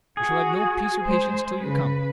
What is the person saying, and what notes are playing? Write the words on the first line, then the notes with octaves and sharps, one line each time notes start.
I shall have no peace or patience till you come.
F#4 G#4
G#3 C5
C#3 B4